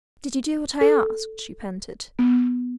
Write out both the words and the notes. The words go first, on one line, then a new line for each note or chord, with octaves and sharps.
"Did you do what I asked?" she panted.
A4
B3